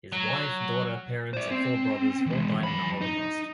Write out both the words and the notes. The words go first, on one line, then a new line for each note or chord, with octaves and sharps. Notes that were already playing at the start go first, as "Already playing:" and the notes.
His wife, daughter, parents and four brothers all died in the Holocaust.
F#3
C5 D5
C4
E3 G#3
F#2 B5
D#4